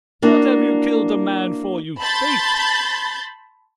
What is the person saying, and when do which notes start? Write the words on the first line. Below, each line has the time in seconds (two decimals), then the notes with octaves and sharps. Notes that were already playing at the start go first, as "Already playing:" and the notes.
"What have you killed a man for, you thief?"
0.22 A#3 D4 E4 F#4
2.00 A5 B5 C6 G6 A6